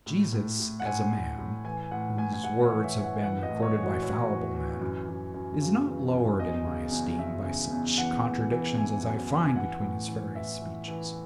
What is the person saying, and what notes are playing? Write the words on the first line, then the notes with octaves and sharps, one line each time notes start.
Jesus as a man, whose words have been recorded by fallible men, is not lowered in my esteem by such contradictions as I find between his various speeches.
A2
A2
A2
F#5
A2 G#5
A2
A2
E3 G#5
A2 F#5
A2 G#5
G#5
A2 F#5
C#5
E3
E5
E3
F#5
E3 F#5
D#5
A2
C#5
E3
F#4
A2 C#5
E3
E3
F#2
F#2
F#2
C#3
E3
F#2
E2 D#5
C#3
E2
E2 E5
C#3
E2
E3 F#5
E3
E3
E3 G#5
F#2
F#2
G#5
E3 F#5
A2
E3
E3 E5
E3
E3